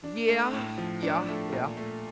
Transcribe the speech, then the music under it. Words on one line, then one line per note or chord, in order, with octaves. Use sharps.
Yeah. Yeah. Yeah.
D4
A3
A2
F3
D4
A3
A#2
A3